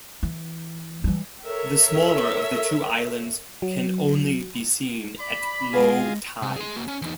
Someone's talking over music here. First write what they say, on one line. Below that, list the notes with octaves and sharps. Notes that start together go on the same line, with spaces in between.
The smaller of the two islands can only be seen at low tide.
E3
E3 G3
A4 A#4 C#5 E5
F#3
D5 B5
G#3 F4 G#4
C3
G#4 C6
A#3 F#4
C#4
E2 D#4